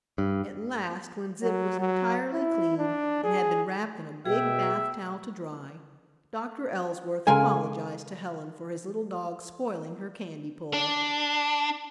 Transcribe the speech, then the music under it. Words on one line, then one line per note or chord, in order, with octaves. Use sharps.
At last when Zip was entirely clean and had been wrapped in a big bath towel to dry, Doctor Elsworth apologized to Helen for his little dog spoiling her candy pull.
G2
F#3
F#3
E4
D4
G#4
B2 G#4 E5 G5
C#3 G#3 F4 A4 A#4 G#5
D4